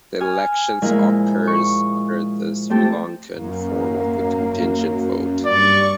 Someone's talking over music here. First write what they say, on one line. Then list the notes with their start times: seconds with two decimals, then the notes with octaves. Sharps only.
The election occurs under the Sri Lankan form of the contingent vote.
0.20 G#5 F6
0.82 A#2 F3 G#3 E4 A#4
1.47 C#6
2.70 A3 C4 G4 A4
3.36 F#2 A#3
5.46 G2 D5 C#6